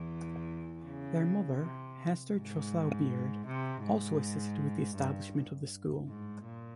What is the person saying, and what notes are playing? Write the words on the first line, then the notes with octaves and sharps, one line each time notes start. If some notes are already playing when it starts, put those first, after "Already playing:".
Their mother, Hester Truslow Beard, also assisted with the establishment of the school.
Already playing: E2 E3
C#3
C3
G#2
C3
G#2
G2
G#2
A#2